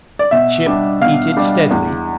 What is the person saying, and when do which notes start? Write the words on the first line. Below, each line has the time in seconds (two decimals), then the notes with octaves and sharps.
The ship heated steadily.
0.19 D5
0.31 B2 E5
0.66 G3 D4
1.01 B2 F5
1.37 G3 D4
1.71 E2